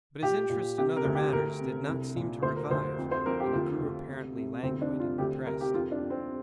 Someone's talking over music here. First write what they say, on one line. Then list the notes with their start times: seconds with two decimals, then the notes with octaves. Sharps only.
But his interest in other matters did not seem to revive, and he grew apparently languid and depressed.
0.22 A#2 G4
0.49 A#2
0.78 C3 G4
0.96 A#4
1.05 D2
1.15 G4
1.33 D2 A#4
1.60 C3
1.88 C2
2.16 A#2
2.42 D2 C5
2.56 A#4
2.70 D2 C5
2.98 F2
3.11 C5
3.26 F2 A#4
3.40 G4
3.53 D2 F4
3.80 D2
4.08 C3
4.36 C3
4.63 D2 C4
4.82 D4
4.91 C3
5.00 F4
5.18 D2 G4
5.46 C3 A#4
5.61 G4
5.74 F2 F4
5.92 D4
6.02 F2
6.10 C4